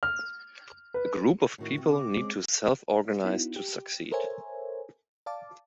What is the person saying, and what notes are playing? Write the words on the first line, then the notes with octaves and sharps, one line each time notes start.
A group of people need to self-organize to succeed.
F6
B4
A2 D#3 E4 F#4
C3
D6
G#3 C4 C#4
B3 D#4 E4 F#4
G4
A4 A#4 C5 C#5 E5 G#5
D5 F5 A5 D6